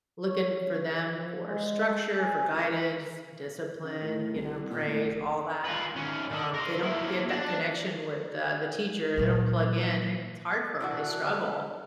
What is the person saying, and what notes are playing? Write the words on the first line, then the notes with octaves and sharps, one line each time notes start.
looking for them for structure, for guidance, discipline, you know, praise, all that, and, uh, they don't get that connection with the the teacher, they don't plug in, it's hard for 'em, they struggle.
C#5
C#3
F3
G#3
G#5
C#2
C#3
A2
C2
A#2
A2
F1
F4 B4
G#2 C#4
D3
A#4 C5
A#3 E4
D4
A#2 F#3
E3 D4 F#4
D3 B3